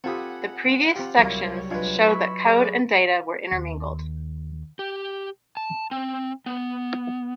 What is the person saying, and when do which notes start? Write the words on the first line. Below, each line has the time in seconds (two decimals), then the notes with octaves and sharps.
The previous sections show that code and data were intermingled.
0.04 C4 F4 G4 A4 F#5 G#5 B5 D#6
0.96 C4 F4 G4
1.18 C2 F#3 G3 A#3 E4 F4 C#5
1.71 G#3 D4 F4 B4
2.05 E5 B5 C#6
2.46 G#4 D5 G#5 D6
3.51 D#2
4.79 G4
5.57 A5
5.91 C4
6.46 B3